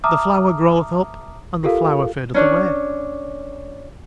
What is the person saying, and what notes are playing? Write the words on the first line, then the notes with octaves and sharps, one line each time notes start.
The flower groweth up and the flower fadeth away.
E5 A5 A#5 D6 D#6 F6
F4 G4 A4 A#4 F5
C#4 D4 C#5